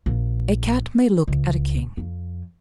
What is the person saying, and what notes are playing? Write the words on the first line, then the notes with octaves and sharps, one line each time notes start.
"A Cat may look at a king."
A#1
C#2
F2